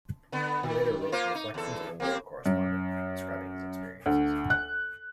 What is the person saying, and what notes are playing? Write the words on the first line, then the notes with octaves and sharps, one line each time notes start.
He later wrote "Reflections of a War Correspondent", describing his experiences.
D3 B3
D#3
A#3 F4 C5
D#4
E2 A4
A#3 C4 G4
F#2
D2
F#6